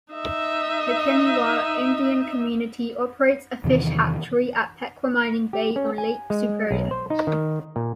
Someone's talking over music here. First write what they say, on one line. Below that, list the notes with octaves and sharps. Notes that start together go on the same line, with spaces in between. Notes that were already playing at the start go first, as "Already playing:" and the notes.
The Keneewaw Indian Community operates a fish hatchery at Pequamining Bay on Lake Superior.
D#4 E5
E2 C3 D#3 E3
G4
C#4
G#5
G#3
B1
C5
D#4
D#3
A#2